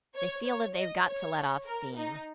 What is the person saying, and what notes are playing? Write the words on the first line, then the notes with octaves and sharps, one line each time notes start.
They feel that they've got to let off steam.
C#5
C#5
D#5
C#5
A#4
D#4